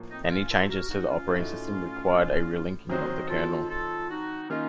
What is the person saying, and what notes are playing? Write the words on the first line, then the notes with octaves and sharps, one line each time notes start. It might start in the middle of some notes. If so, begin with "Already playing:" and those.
Any change to the operating system required a re-linking of the kernel.
Already playing: A2 F3 A#3
C4 D#4
D#4
C#4 F4
F4 A4
F#4 A#4
D#4 F#4
C#4 F4
A2 A3 D#4 F#4
D#3 F#3 C4 D#4 F#4 C5 D#5
F4 A4
F4 A4
D#4 F#4
D#3 A#3 C#4 D#4 F4